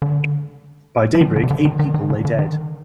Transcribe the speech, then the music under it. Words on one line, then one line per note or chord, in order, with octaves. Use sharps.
By daybreak, eight people lay dead.
D3
F3
D#3
D3
C3
D3
D#3
D#3
D#3
D3
D3
D#3